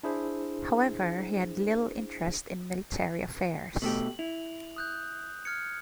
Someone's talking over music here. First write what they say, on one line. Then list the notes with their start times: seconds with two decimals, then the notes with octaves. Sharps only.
However, he had little interest in military affairs.
0.03 D4 E4 G#4 C5
3.82 B2 A3 G4 F#7
4.19 E4 F7
4.76 D#6 F#6 G6
5.45 F6 G#6 C#7